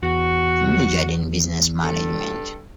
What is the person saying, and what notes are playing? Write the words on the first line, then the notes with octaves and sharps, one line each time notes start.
He majored in business management.
E2 F#4
G2 A4